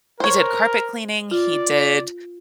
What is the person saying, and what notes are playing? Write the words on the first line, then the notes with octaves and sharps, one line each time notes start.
he's a carpet cleaning, he did,
A#4 C5 C#5
F4 D5